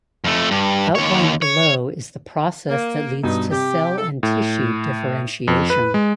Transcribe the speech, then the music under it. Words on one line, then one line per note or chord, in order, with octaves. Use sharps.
Outlined below is the process that leads to cell and tissue differentiation.
F2 A3
G2
D#2 C#5
C#5
A#3
G2 B2 D#4
C3 G4
A4
A2
F2
B4
G#3